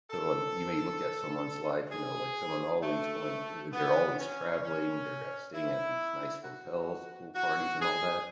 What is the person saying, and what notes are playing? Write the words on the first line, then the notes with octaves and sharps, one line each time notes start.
So, like, you may look at someone's life, you know, like, someone always going to they're always traveling, they're, uh, staying at these nice hotels, pool parties, and all that,
A4
G#4
A3
B3
C#4
C#4
E4
F#4
F#4
G#4